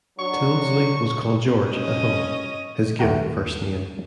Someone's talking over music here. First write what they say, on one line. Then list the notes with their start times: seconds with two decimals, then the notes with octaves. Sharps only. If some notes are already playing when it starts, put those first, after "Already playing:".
Tyldesley was called 'George' at home, his given first name.
0.19 F#3 D4 C#6
1.70 C#4 D#5
2.99 D#2 A3 F#4 F#5 G5 A#5